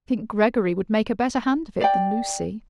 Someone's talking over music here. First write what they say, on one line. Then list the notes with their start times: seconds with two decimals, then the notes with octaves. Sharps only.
"I think Gregory would make a better hand of it than Lucy."
1.81 D5 G5